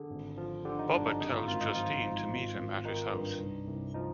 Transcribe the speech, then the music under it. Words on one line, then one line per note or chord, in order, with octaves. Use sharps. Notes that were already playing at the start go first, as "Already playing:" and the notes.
Bubba tells Justine to meet him at his house.
Already playing: D3 G#4
G#1
F3
D3 G4
D#4
G2 D4
D#4
G#1 D#4
F4
G#1 F4
D#4
F3 F4
G#2
G#1
G#1
D#3 D#4
G2
C2
C2
F3 D#4